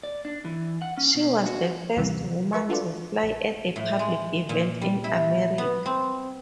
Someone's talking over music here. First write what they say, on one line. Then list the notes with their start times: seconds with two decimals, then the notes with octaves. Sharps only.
She was the first woman to fly at a public event in America.
0.03 D5
0.25 D4
0.45 E3
0.82 F#5
0.98 C#4
1.15 B2
1.46 F#4
1.96 D#2 G#2 C3 D#3 E3 G3
2.53 A#4 B4 E5 C#6
2.69 D4 F4 F#4 A4 B4 D5
3.23 A#1
3.76 A2
3.99 G#3
4.49 A#2
4.81 G3
5.04 E4
5.58 B3
5.86 C4